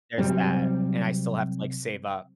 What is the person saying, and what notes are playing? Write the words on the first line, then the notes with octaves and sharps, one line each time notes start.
there's that, and I still have to, like, save up.
C3 F#3 G3 C4